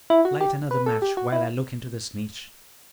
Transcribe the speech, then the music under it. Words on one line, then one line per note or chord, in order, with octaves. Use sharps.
Light another match while I look into this niche.
E4
F#4
G4
B4
A4
G4
F#4
E4